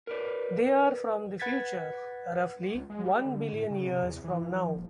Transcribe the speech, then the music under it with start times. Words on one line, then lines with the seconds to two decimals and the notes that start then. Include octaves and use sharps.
They are from the future: roughly one billion years from now.
0.07 A#4 B4 D5
1.40 B4 F#5 G#6 A6 B6
2.75 C#2
2.90 G#3
3.04 G3
3.25 D3
3.53 A2
3.70 C#3
3.85 C3
4.03 E2
4.24 E3
4.50 F3
4.75 D#1